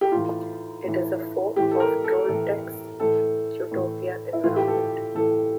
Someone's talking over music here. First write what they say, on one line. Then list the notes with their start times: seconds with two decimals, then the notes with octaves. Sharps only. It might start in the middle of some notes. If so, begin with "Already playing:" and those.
It is a fork of Trolltech's Qtopia environment.
0.01 G4
0.12 A2 E3 F4
0.84 A2 E3
1.56 A2 E3 G4
1.71 A4
1.80 A#4
2.04 A4
2.28 A2 E3 A4
3.00 A2 E3 A4
3.71 A2 E3
4.33 E4
4.44 A2 E3 F4
4.56 G4
4.68 A4
5.15 A2 E3 A4